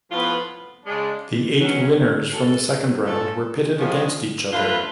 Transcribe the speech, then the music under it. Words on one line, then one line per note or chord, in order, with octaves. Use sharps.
The eight winners from the second round were pitted against each other.
A2 F3 B3 F4 B4
C#3 G#3 D4
B2 F#3 C#4
G#3 C#4 F#4 A4
A3 C#4 F4 A4
A2 F3 G#3
D3 F3 A3 F4 B4